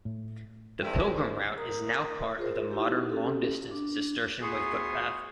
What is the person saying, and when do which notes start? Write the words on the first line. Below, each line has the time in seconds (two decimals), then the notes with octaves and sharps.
The pilgrim route is now part of the modern long distance Cistercian Way footpath.
0.05 A2
0.83 C2 F2 G#3 E5 G5
0.99 G#4
1.58 A#4 A#5 D#6
2.38 F4 G#4 A#4 C5
2.71 D#4 E4 G4
3.10 C#4 G4 A4
3.71 D4
4.41 D2 B3 G#4 C6 C#6 D#6